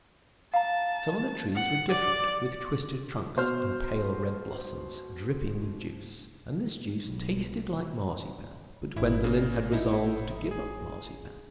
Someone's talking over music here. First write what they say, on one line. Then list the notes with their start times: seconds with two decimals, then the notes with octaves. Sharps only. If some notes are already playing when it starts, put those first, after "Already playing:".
Some of the trees were different, with twisted trunks, and pale red blossoms dripping with juice; and this juice tasted like marzipan, but Gwendolen had resolved to give up marzipan.
0.54 F5 A5 A#5
1.55 F#5
1.90 D5
3.36 B2 C5 F6
7.05 B1
8.96 G#1 E4
9.24 C#3
9.72 D#4 E4
10.51 G#4